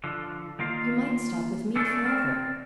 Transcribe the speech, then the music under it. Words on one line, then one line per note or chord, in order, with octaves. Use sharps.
You might stop with me for ever.'
D3 F3
D#3 A#3 F4 F5
D3 A3 C#4 D4 A4
C4 A#4 D5